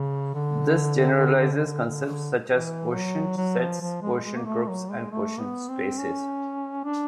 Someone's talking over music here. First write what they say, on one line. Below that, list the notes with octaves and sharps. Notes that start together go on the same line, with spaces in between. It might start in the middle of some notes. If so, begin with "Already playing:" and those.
This generalizes concepts such as quotient sets, quotient groups, and quotient spaces.
Already playing: C#3
D3
D3
D3
D3
E3
F#3
F#3
F3
F3
G#3
G#3
A#3
A3
F#3
G#3
A3
B3
C4
C#4
D4